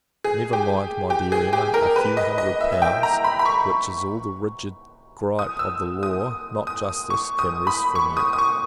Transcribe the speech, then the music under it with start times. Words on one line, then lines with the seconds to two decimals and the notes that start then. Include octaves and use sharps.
Never mind, my dear Emma, a few hundred pounds; which is all the rigid gripe of the law, not justice, can wrest from you.
0.24 G#4
0.53 G4
1.10 G4
1.32 G#4
1.53 G4
1.74 A#4
1.96 B4
2.17 D#5
2.38 D#5
2.61 E5
2.72 E5
2.82 G5
3.03 A#5
3.24 B5
3.39 B5
3.46 C#6
5.39 D#6
5.59 E6
6.03 D#6
6.67 D#6
7.10 C#6
7.39 D#6
7.67 B5
7.95 C#6
8.17 D#6
8.33 D#6
8.38 C#6